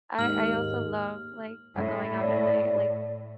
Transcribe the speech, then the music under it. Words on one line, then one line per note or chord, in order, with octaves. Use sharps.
I I also love, like, uh, going out at night, like,
D#2 G#2 F6 F#7
A2
D5